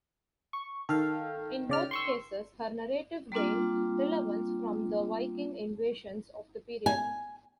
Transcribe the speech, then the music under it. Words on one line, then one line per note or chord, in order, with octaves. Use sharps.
In both cases, her narrative gained relevance from the Viking invasions of the period.
C#6
D#3 A4 F5
C#3 D5 F6
C6 C#6 E6
G3 A#3 C4 D4 F4
G#5